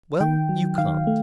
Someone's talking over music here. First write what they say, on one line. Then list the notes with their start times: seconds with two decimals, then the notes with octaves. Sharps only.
Well, you can't.
0.20 D#3 G5
0.49 F#3
0.78 D#3 F5
1.07 A3